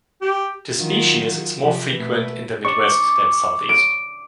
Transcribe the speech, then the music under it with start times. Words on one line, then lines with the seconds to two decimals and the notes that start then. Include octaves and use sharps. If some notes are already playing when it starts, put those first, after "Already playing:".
The species is more frequent in the midwest than southeast.
0.22 G4
0.77 D#3 F#3 F4
1.60 C3 F3 G4
1.92 B2 A3 B4
2.65 D5 C#6
3.69 D7